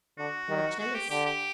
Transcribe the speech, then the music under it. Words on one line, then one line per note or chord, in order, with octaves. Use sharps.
You are jealous.
D3 F#4
D#3
F#4
G4
D3 G4
G4